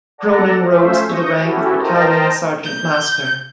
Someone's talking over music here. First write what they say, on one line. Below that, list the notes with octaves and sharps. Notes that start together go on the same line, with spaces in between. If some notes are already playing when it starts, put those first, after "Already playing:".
Cronin rose to the rank of Battalion Sgt Master.
A4 D5 F#5 A#5
A3 C#4 F4 C5 E5
C#6 D#6 G6 A#6
C#4 E4 F#4 G4 A4
A#4 C5 D#5 G5 A5 A#5
G6